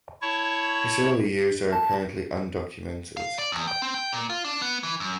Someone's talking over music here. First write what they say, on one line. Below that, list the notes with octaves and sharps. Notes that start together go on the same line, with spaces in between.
His early years are apparently undocumented.
E4 C#5 A5 C#6
A5
F5
D5
E2
G5
C4
G5
A#2
F4
D4
B3
E3
F#2